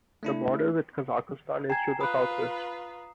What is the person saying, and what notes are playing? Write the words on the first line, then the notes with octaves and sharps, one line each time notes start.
The border with Kazakhstan is to the southwest.
A3 D4 E4
G5 G#5 A#5 G#6 C7 E7
F4 B4 B5 D#6 F#6